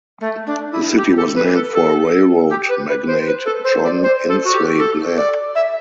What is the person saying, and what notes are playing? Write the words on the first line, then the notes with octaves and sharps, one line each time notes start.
The city was named for railroad magnate John Insley Blair.
A3
D4
E4
G4
A4
B4
A4
A4
G4
B4
B4
C5
B4
A4
C5
D5
C5
A4
F#4
G4
A4
D5
E5